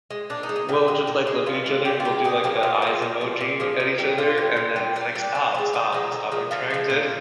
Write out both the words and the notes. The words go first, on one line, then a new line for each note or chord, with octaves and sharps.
We'll just, like look at each other, and we'll do like, the eyes emoji at each other, and then it's like, "Stop, stop, stop. I'm trying to"
G#3
A#2 D4
D#4
G#3
D#4
A#2 G4
G#3
A#2
G#3
A#2 F4
G#3
A#2 G4
F4
G#3 G4
A#2 G#4
F3 G#3 G4
A#2 F4
F3
G#3
A#2
F3 G#3
A#2
F3 G#3
A#2
G3
A#2 F4
G3
A#2
G3
A#2 D4
G3
D3
F3
G#3
D3 D#4
F3 G#3
D3
F3 G#3
D3 F4
F3 G#3
A#2